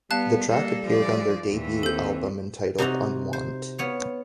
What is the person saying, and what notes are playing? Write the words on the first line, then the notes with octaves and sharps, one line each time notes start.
The track appeared on their debut album entitled "Unwant".
G3 B3 F5 A5 F#6
G3 A#3 A4
F3 D5
D#2 E3
C4 A4 G6
C3 D#4 F#4 A#5
C5
B3 C#5 F5